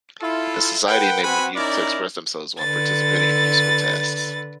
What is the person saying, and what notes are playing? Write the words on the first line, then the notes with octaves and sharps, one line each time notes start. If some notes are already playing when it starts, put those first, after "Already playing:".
The Society enabled youth to express themselves while participating in useful tasks.
E4 F4 A4
A#4 B4 F#5 G5
C4 F#4 B4 F#5 G#5 B5
C#4 D#4 E4 A#4 D5
D3 B4 A6